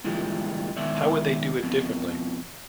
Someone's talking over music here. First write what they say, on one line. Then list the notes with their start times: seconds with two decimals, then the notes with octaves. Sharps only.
How would they do it differently?
0.04 A#2 D3 E3 F3 G3 G#3
0.76 B2 D#3 G#3 C#5 D5 E5
1.63 F2 B2